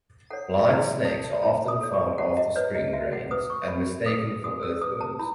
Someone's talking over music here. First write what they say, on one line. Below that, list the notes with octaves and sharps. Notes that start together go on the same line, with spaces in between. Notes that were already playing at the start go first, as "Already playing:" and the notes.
Blind snakes are often found after spring rains and mistaken for earthworms.
A4 C#5 F#5
E4 G#5
A4 C#5 A5
E4 B5
D#6
A4 C#5
C#6
F#4 F#5
D#5
B4 C#5
D#5
F#4 E5
F#5
B4 D#6
C#6
F#4 B5
B4 D#6
F#4 D#6
E6
B4 D#6
A5
E4 B5